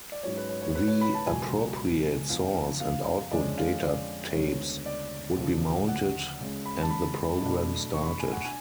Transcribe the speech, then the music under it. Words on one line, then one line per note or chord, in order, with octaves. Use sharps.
The appropriate source and output data tapes would be mounted and the program started.
D5
G#2 F#3 C#4 C#5
B4
C#5
C#5
B4
C#5
B5
A5
C#2 B2 F#3 G#5
F2 F3 B3 D4 F5
F5
F2 D3 G#3 C#4 D5
F5
D5
D2 C#3 G#3 B3 D4 C#5
D5
D2 C#3 F3
F#5
C#2 C#3 G#3 C#4
B5
A5
B5
B2 F#3 A3 D4
C#6
B5
G#5
F#5
D4 G#5